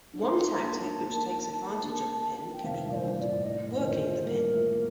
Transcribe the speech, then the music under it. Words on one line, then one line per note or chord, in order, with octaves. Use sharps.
One tactic which takes advantage of a pin can be called "working the pin".
D4
C4 D#4 C6
C4 D#4
A#5
A#3 D4 A5
D4
D#4
A#3 D4
A#3 D4
G5
C3 D#3 F5
G2 A#2
D5
C5
G2
A#2 D5
A2
A2 D#5
A2
D#3
D3 F3 C5
F3 A3
G3 A#3 A#4
F3 A3
A#3